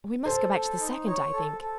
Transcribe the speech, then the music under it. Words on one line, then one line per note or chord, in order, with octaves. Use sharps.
'We must go back to the second, I think.
A4 C5
A4
D#4
C#5
A4
A4